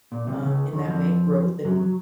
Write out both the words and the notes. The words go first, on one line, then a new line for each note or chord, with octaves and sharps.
um, in that way, growth and
A#2
C2 C3
C#2 C#3
D#2 D#3
F2 F3
F#2 F#3
F#3